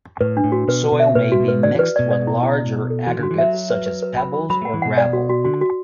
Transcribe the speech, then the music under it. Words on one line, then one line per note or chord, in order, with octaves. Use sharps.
Soil may be mixed with larger aggregate, such as pebbles or gravel.
A2 B4
D4
A2
F#4
B2 B4
F#4
B2
E5
B2 B4
F#4
B2
B4
D3 D5
E3 B4
B2 D5
D5
E4
E4
D5
E4
A4
E3 F#4
D3 F#4
E3
F#3 E5
F#4
B4
B4
B4
B5
B5
F#3 B5
A3 F#5
E3
B2 F#5
D5
F#4
F#4
D3 F#4
F#4